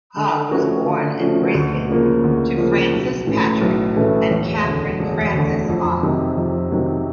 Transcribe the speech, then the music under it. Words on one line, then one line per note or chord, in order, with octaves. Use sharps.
Hogg was born in Brisbane to Francis Patrick and Catherine Frances Hogg.
D3
F3 A3 C#4 F#4
D3
F3 A3 C#4 F#4
D2
C#3 F3 A#3
D2
C#3 F3 A#3
B1
A2 E3 A3 C#4
B1
A2 E3 A3 C#4
E1
D2 D3
E1
D2 D3
F2
C3 D#3 F#3
F2
C3 D#3 F#3